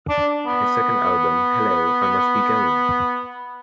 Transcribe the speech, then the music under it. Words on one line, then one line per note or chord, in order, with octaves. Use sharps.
His second album, Hello, I Must Be Going!
D4
B3